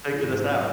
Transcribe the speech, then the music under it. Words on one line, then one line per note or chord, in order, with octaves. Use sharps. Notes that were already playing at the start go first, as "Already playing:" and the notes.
figure this out.
F3
G#2 E3
F3
E3
F#3